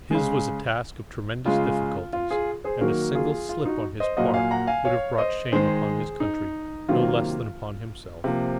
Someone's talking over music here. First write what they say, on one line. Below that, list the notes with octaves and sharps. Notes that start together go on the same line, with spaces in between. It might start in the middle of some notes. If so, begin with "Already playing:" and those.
His was a task of tremendous difficulties, and a single slip on his part would have brought shame upon his country, no less than upon himself.
C#3 G#3
C#3 G#3 F4
F4
F4 G#4
G#4 C5
D#3 F#3 A#3 F#4 A#4
F4 G#4
F4
D#4 F#4
C5 D#5
A#2 F#3 A#3 D#5 F#5
F5 G#5
F#5 A#5
F5 G#5
C#5 F5
C5 D#5
D#3 G#3 G#4 C5
D#4
C3 D#3 F#3 A#3 F4
C3 F3 A#3